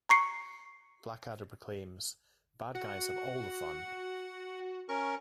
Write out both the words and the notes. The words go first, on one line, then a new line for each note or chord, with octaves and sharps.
Blackadder proclaims, Bad guys have all the fun.
A#5 C#6 C7 C#7
F#4 F#5
C#4 A#4 C#6